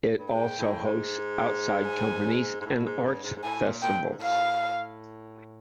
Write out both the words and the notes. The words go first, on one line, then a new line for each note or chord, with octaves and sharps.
It also hosts outside companies and arts festivals.
G2
G#2 G5
A2
G#2
G#5
G#2
A2
G#2
G2
G#2
G#2
A2 G#5
A#2
A#2 G5
A2
G#2
A2 F5